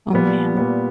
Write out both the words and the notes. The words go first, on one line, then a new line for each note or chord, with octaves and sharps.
Oh, man.
A#2 G3 B3
A#2 G3 B3